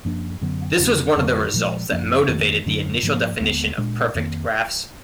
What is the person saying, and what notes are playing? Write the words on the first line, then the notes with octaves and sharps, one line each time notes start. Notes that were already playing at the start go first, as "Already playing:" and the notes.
This was one of the results that motivated the initial definition of perfect graphs.
F#2 F3 A#3 D4
F#2 D3 F#3 B3
F2 D3 F#3 D4
F2 D3 F#3
A#2 F3 G#3
F#2 F3 A#3 D4
F2 D#3 A#3
F#2 D3 F#3 D4
G#2 F3 A#3
D#2 D3 G#3 B3
A#2 G#3 D4
F2 D#3 A#3